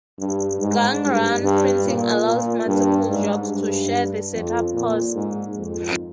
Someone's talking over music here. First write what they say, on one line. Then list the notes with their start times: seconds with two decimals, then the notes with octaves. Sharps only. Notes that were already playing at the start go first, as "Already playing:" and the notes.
Gang-run printing allows multiple jobs to share the setup cost.
0.19 G2
0.59 G#2
1.01 G2
1.42 G2
1.84 A#2
2.25 A#2
2.66 G2
3.08 G#2
3.50 G2
4.33 F2
4.74 A#2
5.15 G#2
5.57 F2